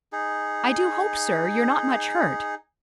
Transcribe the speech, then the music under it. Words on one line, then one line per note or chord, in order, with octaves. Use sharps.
"I do hope, sir, you're not much hurt?"
D#4 G#4